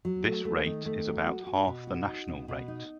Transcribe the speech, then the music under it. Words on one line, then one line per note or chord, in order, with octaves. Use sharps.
This rate is about half the national rate.
F#3
A3
A3
D#3
A3
F#3
F#4
F#4
B2
F#4
D#4
B2
B2
D#4